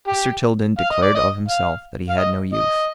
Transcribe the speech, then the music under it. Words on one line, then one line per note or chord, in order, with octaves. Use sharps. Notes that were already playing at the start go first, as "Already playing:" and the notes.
Mr. Tilden declared of himself that he had no youth.
G4
F5
D#5
D5
D#5
F5
F5
D#5
D#5